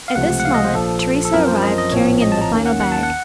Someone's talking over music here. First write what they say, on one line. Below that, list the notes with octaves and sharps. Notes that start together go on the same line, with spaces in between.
At this moment Teresa arrived carrying in the final bag.
F5
C#2 C3 F3 A3 F#5
F#5
F5
D#5
C5
A#1 A#2 F3 A4
A4
F#2 F3 C4 A#4
C5
D#5
D#5
A#1 A2 F3 C4 C#5
D#5
A5
A#5
D#2 D#3 A#3 C#4
F#5
F#5
A5
F#5